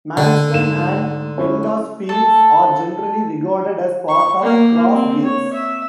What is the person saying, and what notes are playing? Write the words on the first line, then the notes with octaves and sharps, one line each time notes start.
Manston and Pendas Fields are generally regarded as part of Cross Gates.
D3
G#2 E7
C#4 E4
A4
C#6
A#3
C4
C#5
E5